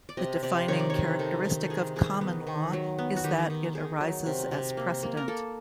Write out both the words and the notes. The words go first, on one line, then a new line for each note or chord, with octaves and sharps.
The defining characteristic of "common law" is that it arises as precedent.
D5
C3 D#5
C3 D5
D#3 C#5
D5
C3 C#5
D#3 A4
D#3
A4
C3 G#4
D#3 G#4
B3
D#3
F#3
B3
F#4
D#3 G4
D#3
D#3 G#4
F#3
C3
C3
A#3
A#3
A#4
A#3 A4